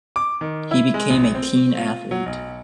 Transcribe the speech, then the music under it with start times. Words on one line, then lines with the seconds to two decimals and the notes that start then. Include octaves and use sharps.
He became a keen athlete.
0.16 D6
0.41 D#3
0.71 E4
0.94 G#3
1.10 A#1
1.35 C4
1.78 F4
2.11 F#3
2.26 B1